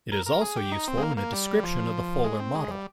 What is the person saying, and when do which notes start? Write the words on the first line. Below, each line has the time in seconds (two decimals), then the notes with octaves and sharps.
It is also useful in a description of the fuller model.
0.12 A#4
0.26 A#4
0.41 G#4
0.57 G4
0.72 D#4
0.88 C4
0.97 G#3
1.03 A#3
1.17 A#3
1.33 G3
1.63 F3
2.24 G#3
2.40 C4
2.55 G#3
2.70 G3